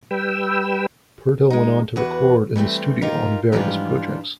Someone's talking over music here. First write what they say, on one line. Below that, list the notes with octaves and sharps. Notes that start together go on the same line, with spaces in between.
Purtill went on to record in the studio on various projects.
G3 B4 G5 E6
G#3 D#4
E2 F#4 B4
E3 G3 A3 C4
D#4 F4 G4 A#4
G#2 E3 F3 G3 D4 F4